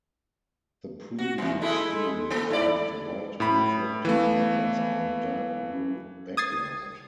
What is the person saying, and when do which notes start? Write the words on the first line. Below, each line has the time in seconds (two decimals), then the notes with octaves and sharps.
The previous series used white reflecting letters on a dark-blue background.
1.19 F#4
1.38 A#2 E3
1.61 G#3 A3 E4
2.30 A#3 F4 A4
2.50 G#2 E4 D5
3.40 A2 B5
4.05 E3 A3 B3 F5
6.37 D#6 G#6 A6 C7